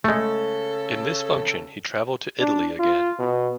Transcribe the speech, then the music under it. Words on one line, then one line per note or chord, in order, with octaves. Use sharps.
In this function he travelled to Italy again.
C#3 G#3 A3 A4
D4
F4
B2